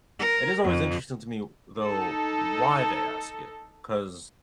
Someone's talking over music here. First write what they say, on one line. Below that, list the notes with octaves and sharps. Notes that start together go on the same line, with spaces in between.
It is always interesting to me, though, why they ask it, 'cause
A#4
F2
D#4 A4